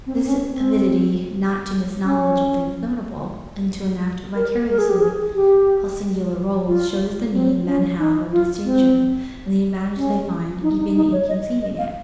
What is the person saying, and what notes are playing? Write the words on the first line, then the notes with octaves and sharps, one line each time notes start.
This avidity not to miss knowledge of things notable, and to enact vicariously all singular roles, shows the need men have of distinction and the advantage they find even in conceiving it.
C4
C4
C#4
C4
C#4
A#4
A#4
G#4
G4
G#4
G4
F4
C4
C#4
D#4
F4
C4
C#4
D#4
D#4
D#4
C#5
D#5
D#5
F5